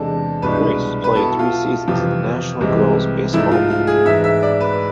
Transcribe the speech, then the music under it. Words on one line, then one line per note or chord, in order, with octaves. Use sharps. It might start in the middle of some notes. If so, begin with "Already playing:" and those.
Kurys played three seasons in the National Girls Baseball League.
Already playing: E2 C3 G#3 D4 A4
C2 B2 G#3 D4 B4
B4
B2 B3 E4 A4
F4
F2 C3 E3 F4
C2 C3 E3 G#3 C4
G#2 F3 A3 E4
F4
F4
G#4
G#2 E3 G#3 E5
E5
D5
B4